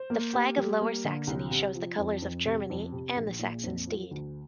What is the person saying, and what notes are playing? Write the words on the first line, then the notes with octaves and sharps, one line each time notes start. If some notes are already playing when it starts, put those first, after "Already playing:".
The flag of Lower Saxony shows the colors of Germany and the Saxon Steed.
Already playing: C5
A#3
G4
G3
A#3
D3
C2
C3
F3
F2
F2
C3
F2
C3
A#1
A#2
F2
F3
D2